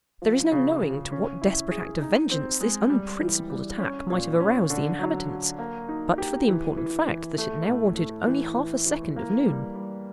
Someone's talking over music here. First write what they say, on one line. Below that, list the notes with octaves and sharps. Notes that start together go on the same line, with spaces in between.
There is no knowing to what desperate act of vengeance this unprincipled attack might have aroused the inhabitants, but for the important fact that it now wanted only half a second of noon.
F3
C#3
C#3
C#4
E4
G#4
D#4
C4
G#3
G3
E3
G3
C#4
A#2
C#4
D3
F#3
F#3
A#3
D#4
G4
E3
E3
E3
A3
A2
A3
E3
E3
E3
A#3
G3
G3